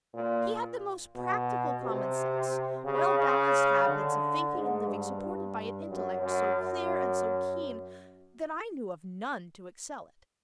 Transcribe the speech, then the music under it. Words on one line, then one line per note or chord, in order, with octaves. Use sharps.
He had the most practical common sense--well-balanced habits of thinking and living, supported by an intellect so clear and so keen that I knew of none to excel it.
A#2
B2
C3
C#3
C#3
D3
G#2
G2
G2
F#2
F#2
F#2